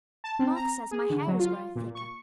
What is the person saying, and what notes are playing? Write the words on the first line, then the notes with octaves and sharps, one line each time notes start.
Martha says my hair is growing thicker.
A5
C4
A#5
G#4
D3
F#3
F4
A#2
C#6